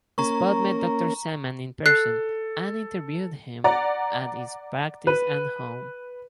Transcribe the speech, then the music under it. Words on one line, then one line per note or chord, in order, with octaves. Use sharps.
Spotte met Doctor Samad in person and interviewed him at his practice and home.
A#3 C#4 A#4 A#5 C#6
A4 F#6 C7
D5 F#5 A#5
B4